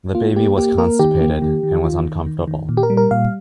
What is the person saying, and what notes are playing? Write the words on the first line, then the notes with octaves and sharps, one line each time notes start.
The baby was constipated and was uncomfortable.
A#3 F4
A#3 G4
A#3 G4
A#3 A#4
D#3 G4
A#3
D#3
D#3
D#3 F4
D#3
D#3
D#3
A#2
G4
A#4
G3
A#4
A#2 F5